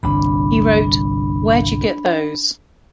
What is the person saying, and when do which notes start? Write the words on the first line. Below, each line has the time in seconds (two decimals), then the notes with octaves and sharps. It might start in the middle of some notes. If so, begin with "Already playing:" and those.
He wrote Where'd You Get Those?
0.03 G1 C2 A#2 D4 B5